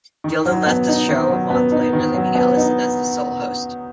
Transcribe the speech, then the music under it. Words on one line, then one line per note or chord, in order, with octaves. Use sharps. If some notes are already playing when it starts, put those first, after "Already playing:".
Gilden left the show a month later, leaving Ellison as the sole host.
D#3
F#3
B3
D#4
D#3
F#3
B3
D#4
D#3
F#3
B3
D#4